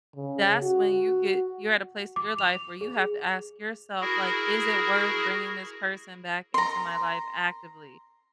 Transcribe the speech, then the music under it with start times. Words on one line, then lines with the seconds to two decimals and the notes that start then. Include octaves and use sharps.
that's when you get you're at a place in your life where you have to ask yourself, like, "Is it worth bringing this person back into my life actively?"
0.16 C#3
0.63 F#4
2.16 D6
2.39 F7
2.81 G#4
4.01 E4 F#4 G#4 A#4
6.54 A#5 C6